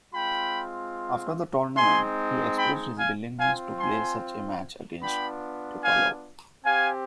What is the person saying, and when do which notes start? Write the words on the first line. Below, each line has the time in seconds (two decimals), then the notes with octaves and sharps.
After the tournament, he expressed his willingness to play such a match against Topalov.
0.13 G#3 C4 F4 G5 B5
1.76 G#3 C4 D#4 G#5 C6
2.57 G5 B5
2.98 F5 G#5
3.39 C4 F4 F5 G#5
3.79 G#5 C6
5.01 B3 D4 F4 G5 B5
5.83 F5 G#5
6.64 C4 G4 F5 G#5